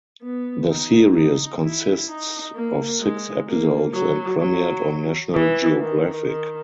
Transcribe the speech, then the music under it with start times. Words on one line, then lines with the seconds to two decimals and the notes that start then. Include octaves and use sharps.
The series consists of six episodes and premiered on National Geographic.
0.23 B3
0.69 D#4
1.15 D#4
1.62 E4
2.08 D#4
2.55 A#3
3.01 G#3
3.47 A#3
3.94 F#3
4.40 F#3
5.33 E3
5.80 D#3
6.26 D#3